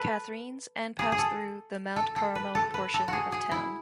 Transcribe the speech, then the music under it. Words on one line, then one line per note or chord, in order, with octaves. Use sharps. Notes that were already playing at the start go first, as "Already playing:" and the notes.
Catherines and pass through the Mount Carmel portion of town.
Already playing: A4 B4
G#4
G#4
A4
A4
A4
B4
A4
B4
A4
F#4
G#4
G#4
E4